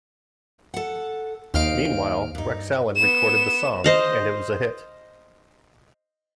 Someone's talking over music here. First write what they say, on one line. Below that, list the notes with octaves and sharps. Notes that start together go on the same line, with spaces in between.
Meanwhile, Rex Allen recorded the song, and it was a hit.
A4 F#5
D#2 C5 D#5 F5 F6 D7
G2 D#4
B3 E7
C5 D#5 F5